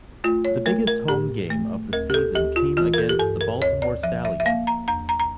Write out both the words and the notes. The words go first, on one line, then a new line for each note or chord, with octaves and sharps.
The biggest home game of the season came against the Baltimore Stallions.
A3 F4
C#5
A3 A#4
A#4
A2 G4
A3
D2 A#4
G4
A4
D2 G4
F4
E3 F4
A#4
A4
G4
G2 A4
A#4
D2 C#5
D5
F3 E5
E5
E5
A#3 F5
A#5
E2 A#5
A#5
A#5